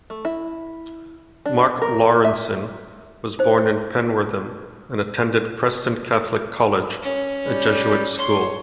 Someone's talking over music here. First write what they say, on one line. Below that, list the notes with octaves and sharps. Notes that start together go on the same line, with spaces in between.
Mark Lawrenson was born in Penwortham and attended Preston Catholic College, a Jesuit school.
A3
E4
D4
A#4
E5
D#4 C5
C#4
G3
C#5 C6